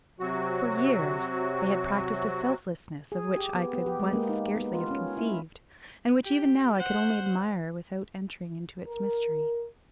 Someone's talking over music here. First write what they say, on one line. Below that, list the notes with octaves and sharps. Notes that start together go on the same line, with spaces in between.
For years they had practiced a selflessness of which I could once scarcely have conceived, and which even now I could only admire without entering into its mystery.
C3 F#3 F#4
G#4
G4
B3
B3
G4
G#3
A#3
D#4
B3
F4
C#4
E4
G4
C5 F#5
A#4